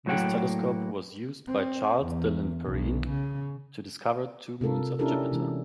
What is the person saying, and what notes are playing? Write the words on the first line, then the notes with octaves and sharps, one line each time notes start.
This telescope was used by Charles Dillon Perrine to discover two moons of Jupiter.
A2 F#3 A#3 C#5 F#5 G5
C4
E2
B1
C#3
C3 F4 A4 A#4
C#4 D4 E4 G4 A4 A#4
C3 E3 G#3